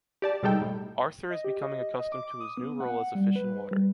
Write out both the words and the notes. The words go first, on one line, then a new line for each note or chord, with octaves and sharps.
Arthur is becoming accustomed to his new role as a fish in water.
G4 D5 A5
B2 G3 G#3 D#4 A4 G5
A2
D#5
G4
D#5
D#5
D6
D#6
B3
F#5
G3
B4
G3